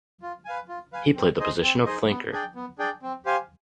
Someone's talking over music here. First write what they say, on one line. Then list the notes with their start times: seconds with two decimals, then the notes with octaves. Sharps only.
He played the position of flanker.
0.22 F4
0.45 B4 F5 G#5
0.69 F4
0.93 B4 F5 G#5
1.15 C4
1.39 D#4 G#4 C5 D#5
1.62 C4
1.85 D#4 G#4 C5 D#5
2.09 B3
2.32 D4 G#4 D5 G5
2.55 B3
2.79 D4 G#4 D5 G5
3.03 C4
3.26 G4 C5 F5 G#5